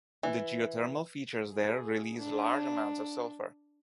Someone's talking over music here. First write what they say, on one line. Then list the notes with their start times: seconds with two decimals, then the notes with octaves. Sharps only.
The geothermal features there release large amounts of sulfur.
0.23 E3
1.52 G#4
2.19 D4